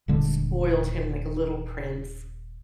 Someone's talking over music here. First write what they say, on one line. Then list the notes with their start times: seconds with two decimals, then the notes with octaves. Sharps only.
spoiled him like a little prince.
0.08 D#1 D3 G#3